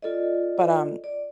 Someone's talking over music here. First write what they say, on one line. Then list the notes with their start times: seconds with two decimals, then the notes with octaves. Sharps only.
But, um,
0.02 F4 A4 D5 D#5
1.04 D5